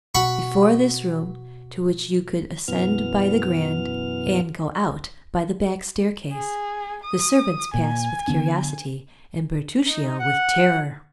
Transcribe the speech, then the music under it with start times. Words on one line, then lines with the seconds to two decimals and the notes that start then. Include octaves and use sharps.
Before this room, to which you could ascend by the grand, and go out by the back staircase, the servants passed with curiosity, and Bertuccio with terror.
0.15 B2 F#4 F#5 B5 C#6
2.68 F#2 B2 E3 B3 F6
6.32 G#4
7.04 D#6
7.74 A#2 G#5
8.28 D3 B3 D4
9.87 D#4
10.19 F#5